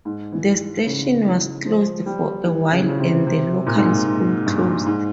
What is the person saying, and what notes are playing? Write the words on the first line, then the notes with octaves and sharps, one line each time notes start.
The station was closed for a while and the local school closed.
G#2
E3
C#3
E3
F3
G3
E3
C#3
E3
C#3
C3
C3
A#2
G#2
A#2
G#2
G2
G#2